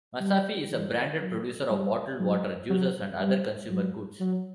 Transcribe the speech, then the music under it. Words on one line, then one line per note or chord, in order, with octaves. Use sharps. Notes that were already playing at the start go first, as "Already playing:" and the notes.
Masafi is a branded producer of bottled water, juices and other consumer goods.
G3
E3
F#3
G3
F#3
F#3
G3
F#3
F#3